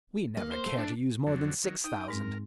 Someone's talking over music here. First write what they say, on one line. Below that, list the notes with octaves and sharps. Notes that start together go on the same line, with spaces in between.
We never care to use more than six thousand.
A#3
C5
A3
D4
F2 D3 F#3
D#3 F#3
D#4 G5 D#6
G#2 G#3 C4 A#4